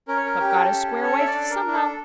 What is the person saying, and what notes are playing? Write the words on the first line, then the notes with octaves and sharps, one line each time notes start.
But gotta square wife somehow.
C#4 A#4
C#5
A#4
G4
A#4
A4
C#4
A4 C#5
E5
D5
D4
A#4
D4
A4